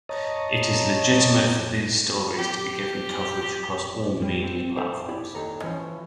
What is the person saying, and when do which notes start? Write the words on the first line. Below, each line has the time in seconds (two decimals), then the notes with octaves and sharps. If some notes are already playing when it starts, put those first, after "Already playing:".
It is legitimate for these stories to be given coverage across all media platforms.
0.09 C#5 D#5 A5 A#5
2.39 G4
4.22 G3
4.44 C4
4.77 A4 C5 D5 E5 F5
5.08 E4 G4 D5
5.35 D#2 D#3 A4 A#5
5.63 E3 F3 C#4